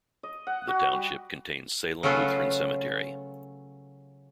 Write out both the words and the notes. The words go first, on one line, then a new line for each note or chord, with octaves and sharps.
The township contains Salem Lutheran Cemetery.
D#5
F#5
F#4
G3
C#3 F#3 A3 C#4 F4 B4